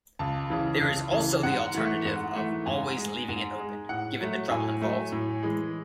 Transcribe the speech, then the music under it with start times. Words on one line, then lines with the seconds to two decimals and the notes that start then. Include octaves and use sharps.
There is also the alternative of always leaving it open, given the trouble involved.
0.19 C#2 A5
0.50 C#3 E3
0.81 C#2
1.12 C#3 E3
1.43 G#2 F#5
1.74 E3 A3
2.05 G#2
2.36 E3 A3
2.66 G#2 G#5
2.97 G#3
3.28 G#2
3.59 G#3
3.89 A2 F#5
4.21 F#3 A3
4.50 A2 G#5
4.82 F#3 A3
5.12 A2
5.43 E3 G#3